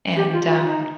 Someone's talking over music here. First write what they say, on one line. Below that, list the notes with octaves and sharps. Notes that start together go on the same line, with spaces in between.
and, um,
G4
F4
F4
D#4